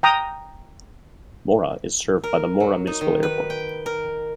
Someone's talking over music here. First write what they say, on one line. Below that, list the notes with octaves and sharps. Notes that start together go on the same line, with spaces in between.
Mora is served by the Mora Municipal Airport.
G5 A#5 D#6
A#4
F#3
D#4
D#3
B4
G5
A#4